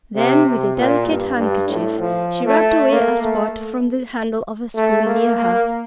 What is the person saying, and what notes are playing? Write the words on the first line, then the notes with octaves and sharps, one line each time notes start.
Then with a delicate handkerchief she rubbed away a spot from the handle of a spoon near her.
C3
C3
A#2
G2
G2
A2
F3
A3
A#3
A3
A3
A#3
A#3